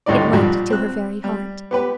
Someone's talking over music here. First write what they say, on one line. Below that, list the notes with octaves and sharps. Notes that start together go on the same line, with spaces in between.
It went to her very heart.
G#1 D2 A2 G3 D#4 D5
A#2 F3 G3 F#4
C4 F#6
G3
B3 G4 B4